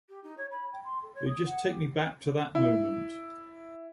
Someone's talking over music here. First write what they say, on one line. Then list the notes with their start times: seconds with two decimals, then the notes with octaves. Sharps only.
They just take me back to that moment.
0.09 G4
0.23 D#4
0.37 C#5
0.51 B5
0.72 G5
0.84 C6
1.02 A4
1.14 C#5
1.28 D#6
1.45 F#5
1.67 G4
2.55 E4